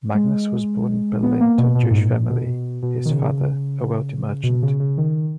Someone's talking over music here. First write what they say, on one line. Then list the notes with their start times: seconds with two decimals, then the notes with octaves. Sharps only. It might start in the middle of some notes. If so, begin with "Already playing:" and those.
Magnus was born in Berlin to a Jewish family, his father a wealthy merchant.
0.15 G#3
1.23 B3
1.41 A#3
1.58 B2
1.75 B2
1.83 A#2
1.91 G#2
1.98 A#2
2.29 B2
2.83 B2
3.05 D#3
3.10 C#3
4.43 B2
4.62 C#3
4.80 C#3
4.97 D#3